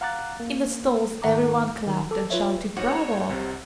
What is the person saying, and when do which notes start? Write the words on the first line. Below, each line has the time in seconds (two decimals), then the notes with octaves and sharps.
In the stalls everyone clapped and shouted "bravo!"
0.01 F5 F#5 A#5 D6 F#6 A6
0.40 A#3
1.22 G#2 D#3 F#5 A#5 D6
1.87 D#3
2.11 A4 D6
2.30 F4 B4 C#5 E5
2.77 G#2 F#4 C#5
3.29 C2 C3